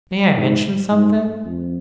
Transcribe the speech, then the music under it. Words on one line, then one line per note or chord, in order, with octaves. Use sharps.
May I mention something?'
G#2
G#2
F2